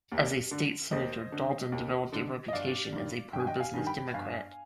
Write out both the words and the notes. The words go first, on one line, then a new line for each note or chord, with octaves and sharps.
As a State Senator, Dalton developed a reputation as a pro-business Democrat.
D#2
D3
D#2 C5 D#5
D3
D#2
D3
D#5
G1 D5 F5
G2 D#3
G1 G5
G#5
D#5 G5
F5 G#5
G2 D#3
G5 B5
G1 F5 G#5